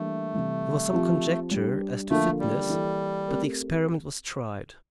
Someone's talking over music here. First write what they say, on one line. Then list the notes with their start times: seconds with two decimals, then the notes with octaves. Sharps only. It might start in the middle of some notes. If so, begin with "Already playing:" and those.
There was some conjecture as to fitness, but the experiment was tried.
Already playing: E3 G3 A3 A#3 D4
0.34 C3 E3 G3
0.93 F3 C4 G4
1.51 G3 D4 G4
2.10 D3 F3 A3 A#3 F4 A4
2.40 G3
2.69 E3 A#3 E4 A4
3.28 A3 C4 G4 A#4